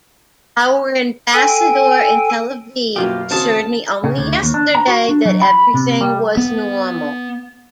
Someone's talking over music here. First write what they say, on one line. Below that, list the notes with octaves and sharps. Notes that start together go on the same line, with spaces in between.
Our ambassador in Tel Aviv assured me only yesterday that everything was normal.
A4 G5 G#5
F#2 B2 F#3 A#3 F4 G4 F5
C#2 D#3 C4 C#4 F#4 A5
C#3
D2
D#2
D4
A#5
F#4
D4
F#3
B5
C3
G3
B3